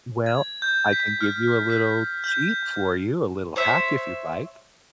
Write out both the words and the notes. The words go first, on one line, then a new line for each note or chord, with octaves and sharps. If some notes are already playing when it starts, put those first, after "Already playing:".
Well, I can give you a little cheat for you, a little hack if you'd like.
G#6
G6
B6
F6
B6
G6
C5 C#5 E5